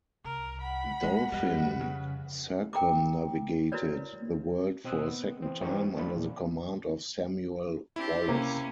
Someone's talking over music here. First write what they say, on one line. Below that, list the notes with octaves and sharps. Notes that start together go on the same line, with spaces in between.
"Dolphin" circumnavigated the world for a second time, under the command of Samuel Wallis.
C2 A#4
F#5 B5
G#3 C4
F2 F3 G3 B4 D#5
C#3
A#4 G5 A#5 D6
E4 F#4 A#4 B4 C#5 D5
B2 C4 D#5 D#6 E6 F#6
B3
E3 C4
E3 F#3 C4 D#4 G4 C#6
A3 D4 F4 A4 B5
A#2 F3
C4 D4 E4 G4
C3 A#3 C#4